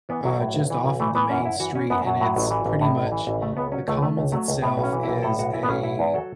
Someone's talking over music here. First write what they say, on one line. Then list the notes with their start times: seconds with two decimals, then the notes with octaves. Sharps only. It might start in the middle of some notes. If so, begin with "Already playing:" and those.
uh, just off of the main street, and it's pretty much The Commons itself is a
0.09 E3 B3
0.24 B1 F#3
0.40 A2
0.54 B1
0.70 E3
0.84 B1
1.00 E3 A3
1.15 E3 B3
1.30 F#2 C#4
1.45 F#2 E4
1.60 E3 F#4
1.75 E3 C#4
1.90 F#2 B3
2.05 F#2 F#3
2.20 A2 F#3
2.36 A1
2.51 E3
2.66 A1
2.81 A2
2.96 A1
3.12 E3
3.27 A1
3.41 C#3 A3
3.57 C#2 B3
3.72 F#3 C#4
3.88 C#2 A3
4.02 C#3 A3
4.17 C#2
4.32 F#3 A3
4.48 C#2
4.62 A2 B3
4.77 B1
4.83 C#4
4.93 E3
5.03 B1 E4
5.23 A2 A4
5.39 B1 F#4
5.53 E3 E4
5.63 B3
5.69 B1 C#4
5.83 B2 E4
5.99 E2
6.14 F#3 A4